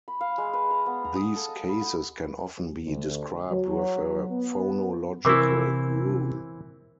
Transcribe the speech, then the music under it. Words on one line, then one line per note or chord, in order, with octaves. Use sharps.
These cases can often be described with a phonological rule.
B5
F5
G#3
B4
A#5
B3
A#5
D#6
A4
D#5
B5
F#5
D2
F#3
B3
C3 E3 C4 E4 A#4 C#6 D6